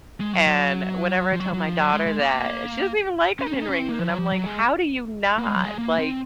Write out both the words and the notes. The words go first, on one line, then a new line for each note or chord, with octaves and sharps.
and whenever I tell my daughter that she doesn't even like onion rings, and I'm like, "How do you not?" like
G#3
F#3
F#3
F3
F#3
F#3
F3
F#3
G#3
G#3
A#3
C#4
D#4
C#4
D#4
C#4
C4
A#3
F3
F#3
F3
F#3
G#3
A#3
G#3
F#3
G#3
A#3
C4